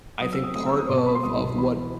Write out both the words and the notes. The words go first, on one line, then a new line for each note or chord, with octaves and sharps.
I think part of of what
F#3 D#6
E6
C4
D#6
A3 D#6
E6
C4
D#6
B2 C6
A5
C4 B5
C6
C2 D#6
B2
E3 B5
E3